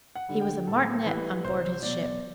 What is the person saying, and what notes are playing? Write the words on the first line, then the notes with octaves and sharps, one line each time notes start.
He was a Martinet on board his ship.
F#5
D3 G3
G5
A2 A4
E3 G3 B4
C2 C5
B2 F#3 D5